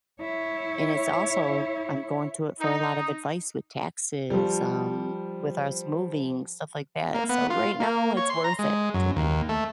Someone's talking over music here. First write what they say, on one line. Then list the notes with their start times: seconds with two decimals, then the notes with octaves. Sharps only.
and it's also I'm going to it for a lot of advice with taxes, um, with us moving, stuff like that, so right now, it's worth it to me.
0.21 E4 C#5
2.60 D#4
4.30 F3 G3
7.14 A#3
7.29 B3
7.50 F4
7.80 A#3
8.17 C#5
8.30 C6
8.44 A#5
8.59 G#3
8.94 F#2
9.16 D#2
9.49 A3